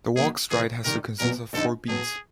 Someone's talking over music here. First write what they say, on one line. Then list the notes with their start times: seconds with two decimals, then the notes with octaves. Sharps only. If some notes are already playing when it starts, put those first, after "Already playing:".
The walk stride has to consist of four beats.
0.16 D#3 F#3 A#3 C#4 G#4
0.50 C3 E3 G3 G#4
0.84 C3 D#3 G3 A#4
1.19 E2 B2 F#3 B3 A#4
1.53 F2 D3 G3 C4 D#4 A4
1.88 A2 F#3 B3 G#4